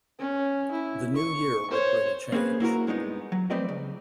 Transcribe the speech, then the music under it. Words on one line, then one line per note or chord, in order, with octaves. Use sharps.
The new year would bring a change.
C#4
E4
C#6
C5 C#5
A#3 C4 C#4 D#4 G#4 B4
A#3 E4 F#4 A#4
G2 G#3 B3 D#4
F#3
F3 A3 C4 B4 D5 D#5
C#2